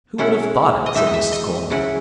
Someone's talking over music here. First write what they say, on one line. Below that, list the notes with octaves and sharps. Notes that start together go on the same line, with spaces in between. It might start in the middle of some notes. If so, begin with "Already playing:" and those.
"Who would have thought it?" said Mrs. Coleman.
B2 G#3 C#4 E4 F#5
D#5
E3 G#3 D#4 E5
D#5
E5
D#5
C#3 F#3 C#4 E4 F#5